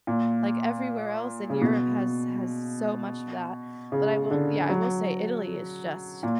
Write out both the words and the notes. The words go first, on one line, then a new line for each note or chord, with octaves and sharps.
like, everywhere else, and Europe has has so much of that. But I will yeah, I will say Italy is just
A#2
C#3
B2
C#3
D3
F#3
A#2